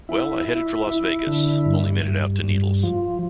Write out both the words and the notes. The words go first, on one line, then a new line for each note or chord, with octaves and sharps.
Well, I headed for Las Vegas, only made it out to Needles.
E4
E4
E4
D3
G2
G2
G2
F3